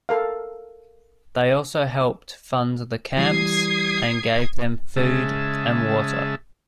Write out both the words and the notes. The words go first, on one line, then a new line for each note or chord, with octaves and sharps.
They also helped fund the camps and gave them food and water.
A4 A#4 F5
E3 G3 D#6 G#6 C7
C#3 G#3 E5 A5